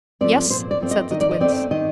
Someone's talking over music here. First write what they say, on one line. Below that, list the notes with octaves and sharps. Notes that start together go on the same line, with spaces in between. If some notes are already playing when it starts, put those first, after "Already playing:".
"Yes," said the Twins.
F3 A3 C4 D5
A#2 C5
D5
F3 A3 C4
D#5
D#3 D#5
D5
D#5
A3 C4 D5
D#3 D#5